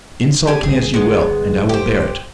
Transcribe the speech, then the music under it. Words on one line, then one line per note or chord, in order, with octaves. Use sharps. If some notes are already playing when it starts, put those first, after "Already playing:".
Insult me as you will, and I will bear it.
G4 G#5
D1 G1 G#4
G#3 B3
G4 C5